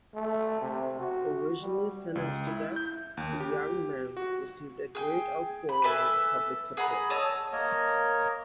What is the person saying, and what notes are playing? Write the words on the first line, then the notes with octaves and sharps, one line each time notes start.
Originally sentenced to death, the young men received a great outpouring of public support.
A3
C3
F#4
G3
C#2
E4
G6
D#2
G4
F#4
G#4 G5
B5
A4 B4 E5 G#5
G#4 F#5 A#5 B5
C#5 D#5 A5 E6
A#3 A#4 C#5 D#5